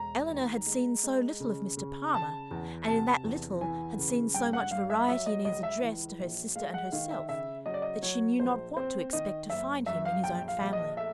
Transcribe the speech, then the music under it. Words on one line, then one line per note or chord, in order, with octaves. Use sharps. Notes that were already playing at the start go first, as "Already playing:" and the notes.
Elinor had seen so little of Mr. Palmer, and in that little had seen so much variety in his address to her sister and herself, that she knew not what to expect to find him in his own family.
Already playing: E1 A#5
D#2
G#3
G#3
C#3
C#3
C#3 A5
E2
C3 A5
E2
E3 G#5
C#3
G2 G5
F#5
G2 F5
E5
F#3 E5
D#5
C#2 D#5
E5
E3
A#1
G#3 F5
F#5
D#3 F5
E5
C#3 E5
F#3 D#5
D5
D#5
F#3 C#5
A#1 C5
C4 C5
D#3 D#5
F#1 E5
F#2 E5
F5
A#1 G5
F5
A#1
D#5
A3 E5